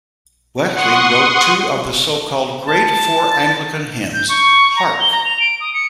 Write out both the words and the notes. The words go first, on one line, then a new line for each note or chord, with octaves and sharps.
Wesley wrote two of the so-called Great Four Anglican Hymns: Hark!
F#5 C6 C#6 D#6
A5
G6
C#6
A#5
G7
A#5
F7
D7
D#6
C#7